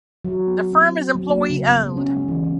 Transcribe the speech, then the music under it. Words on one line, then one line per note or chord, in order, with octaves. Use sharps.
The firm is employee-owned.
F#3
B3
C4
F#3
A#3
C#3
B3
G#3
C#4
G#3
E3
C#4